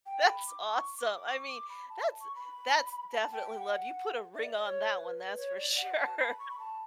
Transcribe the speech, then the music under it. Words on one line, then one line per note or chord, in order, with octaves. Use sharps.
That's awesome. I mean that's that's definitely love, you put a ring on that one, that's for sure.
G5
B5
D6
C#6
D6
C#6
D6
B5
A5
C#6
B5
A5
G5
G5
F#5
E5
D5
C#5
B4
B4
C#5
D5
F#5
A5
B5
C#6
B5
A5